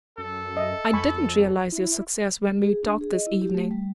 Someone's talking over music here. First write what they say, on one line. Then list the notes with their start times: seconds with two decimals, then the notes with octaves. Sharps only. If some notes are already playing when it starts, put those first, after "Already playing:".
I didn't realise your success when we talked this evening.
0.18 F#2 A4
0.57 D#5 E5
0.93 F2 G#5 B5 C#6
1.72 E4
2.62 G#4
2.83 D4
3.01 G#4
3.13 D#5
3.27 E4
3.42 G4
3.54 A3
3.71 G3